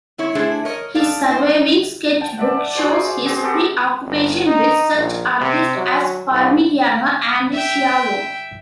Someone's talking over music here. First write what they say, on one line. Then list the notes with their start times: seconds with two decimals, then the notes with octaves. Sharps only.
His surviving sketchbook shows his preoccupation with such artists as Parmigianino and Schiavone.
0.18 C4 E4 C#5
0.35 A3 D4 E4 G#4 C5
0.65 A#4 C#5 D#5
0.95 B3 A4 D5 F5
1.31 D#4 C5
2.21 G5 A5
2.37 D5 E5 F#5
2.75 F#4 G#4 C5 D5
3.25 C4 F#4 G#4 C5
3.43 B3 F#4 G4 A4
4.06 G1
4.47 D#4
4.95 A#1
5.41 C3
5.77 F#3
6.31 C2
7.53 E5 G5